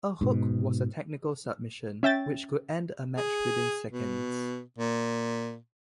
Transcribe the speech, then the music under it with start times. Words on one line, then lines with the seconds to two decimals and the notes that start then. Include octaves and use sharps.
A "hook" was a technical submission which could end a match within seconds.
0.21 G#2 B2
2.03 C#4 E5 G5 A6
3.17 G#4
3.91 B2
4.78 A#2